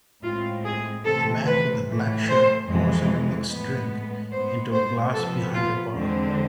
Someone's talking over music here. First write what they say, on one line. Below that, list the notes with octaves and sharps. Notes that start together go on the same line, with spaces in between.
A man with a black shirt pours a mixed drink into a glass behind a bar.
A2 G#3 C4 F4
G#4
C3 E3 A3 C4 A4
B4
A2 E3 A3
C5
F2 E3 G#3
A2 G#3 B3
G#2 G#3 B3 C5
C5
C3 F3 B3 A4
F4
E2 D3 G#3 C4